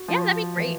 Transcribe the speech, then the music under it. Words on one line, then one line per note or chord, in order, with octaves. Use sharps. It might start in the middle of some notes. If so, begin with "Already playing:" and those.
Yeah, that'd be great.
Already playing: F#4
F3
E3